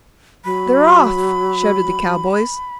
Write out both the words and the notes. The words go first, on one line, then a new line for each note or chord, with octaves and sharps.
"They're off!" shouted the cowboys.
F#3 B5